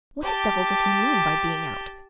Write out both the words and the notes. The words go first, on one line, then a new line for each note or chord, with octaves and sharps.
What the devil does he mean by being out?
G4 A5